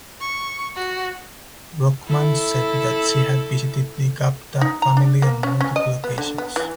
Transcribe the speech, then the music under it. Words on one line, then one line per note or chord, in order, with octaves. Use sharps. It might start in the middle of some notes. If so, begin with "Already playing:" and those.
Rockman said that she had visited the Gupta family on multiple occasions.
C#6
F#4
E4 A4
D#4
A#5
D4
A#3
C#4
C#4
D#5
B3
D3
B3
E3